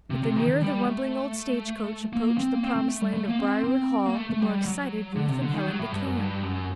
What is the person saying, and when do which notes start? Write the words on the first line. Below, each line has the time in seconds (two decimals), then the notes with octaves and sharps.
But the nearer the rumbling old stagecoach approached the promised land of Briarwood Hall the more excited Ruth and Helen became.
0.10 C3
0.23 C3
0.36 D#3
0.48 D#3
0.61 G3
0.86 A3
2.13 A#3
2.38 C4
2.55 A#3
2.63 C4
2.76 C4
2.88 A3
3.01 G3
3.14 A3
3.28 A#3
3.39 C4
3.64 C4
4.06 A#3
4.15 A3
4.30 A3
4.40 G3
4.65 F#3
5.16 D3
5.29 C3
5.42 D3
5.54 D#3
5.67 F#3
5.79 A2
5.92 G2
6.04 F#2
6.17 G2
6.42 F#2